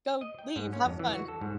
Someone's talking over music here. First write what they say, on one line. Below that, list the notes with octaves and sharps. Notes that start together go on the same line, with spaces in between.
go, leave, have fun."
D#5
G5
G#2
C#4
F2
E3
F#4
A4
G#2